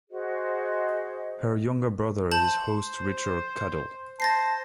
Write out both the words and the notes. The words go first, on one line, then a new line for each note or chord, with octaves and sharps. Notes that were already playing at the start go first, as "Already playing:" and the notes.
Her younger brother is host Richard Cadell.
F#4 G#4 C5 D#5
C5 A5 G6 F#7
C5 A5 A6 A#6 C7